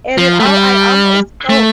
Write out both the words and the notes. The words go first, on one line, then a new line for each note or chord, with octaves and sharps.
and it all I almost don't.
F3
A3
G3
A3